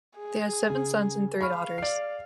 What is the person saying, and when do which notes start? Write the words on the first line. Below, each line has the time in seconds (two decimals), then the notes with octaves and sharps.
They had seven sons and three daughters.
0.18 G#4
0.70 C#3
1.41 F5 B5 C#6 F6
1.78 D5 C7